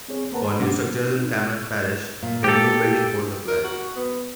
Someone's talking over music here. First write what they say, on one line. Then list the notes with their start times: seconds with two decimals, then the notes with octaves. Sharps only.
For new structures in Cameron Parish, the new building codes apply.
0.08 C4 G#4 C#5
0.32 A#3 A#4 B4 F#5 A5 A#5
0.44 B5 C6
0.59 G2 G3 C#4 D4 F#5 D6
0.79 A2 A#3
1.05 C4 D#4
2.23 A#2
2.44 G4 A4
3.48 A#4
3.64 F#4
3.96 B3